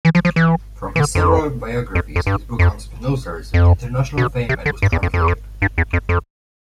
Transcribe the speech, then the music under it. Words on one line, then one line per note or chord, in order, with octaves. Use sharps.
From his several biographies, his book on Spinoza received international fame, and was translated.
E3
F3
F3
E3
E3
D3
F2
F2
F2
G2
F2
F2
B2
C3
D3
G2
E2
F2
F2
E2
F2
G2
E2
F2
F2